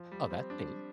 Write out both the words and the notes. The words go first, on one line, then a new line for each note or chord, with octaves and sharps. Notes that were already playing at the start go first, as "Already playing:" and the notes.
Oh, that's neat.
Already playing: F3
G3
C4
D4